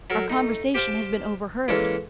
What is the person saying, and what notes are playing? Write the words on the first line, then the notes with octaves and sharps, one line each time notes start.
"Our conversation has been overheard."
F#3 A4 A#4
A3 D#4
G4 C5 F5 G5 A5
E3 G#3 A#3 C#4 A4